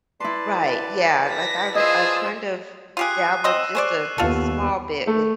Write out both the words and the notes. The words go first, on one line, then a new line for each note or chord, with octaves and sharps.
Right, yeah, like, I've I've kind of dabbled just a a small bit with
E4 B4 D5 A5 C6
A#6 B6
F4 G#4 C5 D#5 E6
F4 G4 G#4 F#6 C7 D#7
C4 D#5 C6 E6 F#6 E7
G#4 C5 D5 C#6 F#6
D#2 B3 F4 A4
A3